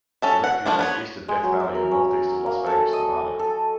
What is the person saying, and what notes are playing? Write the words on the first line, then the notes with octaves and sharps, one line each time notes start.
The refuge is east of Death Valley and northeast of Las Vegas, Nevada.
C#4 A4 E5
F#5
F3 A3 A#3 D4
B3 B4 C#5
G#3
F#3
E5
A#4
C#4
A#3
A4
D#5
A4